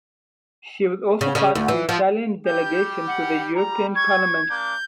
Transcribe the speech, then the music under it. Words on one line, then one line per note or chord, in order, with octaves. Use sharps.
She was also part of the Italian delegation to the European Parliament.
C#3
C#3
D2
E3
F3
G3 G4 G6
F#5
G3 A#5
C#6 G#6
A#3 D4 D6 G6